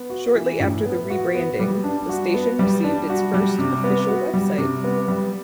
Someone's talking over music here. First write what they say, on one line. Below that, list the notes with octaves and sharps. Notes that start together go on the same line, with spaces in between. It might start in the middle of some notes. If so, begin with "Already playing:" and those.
Shortly after the rebranding, the station received its first official website.
Already playing: B3
F#4
E3
A2
B3
F#4
B3
G3
D4
F#4
B3
G3
D4
F#4
G3
C3
B3
F#4
G3
C3
B3
G3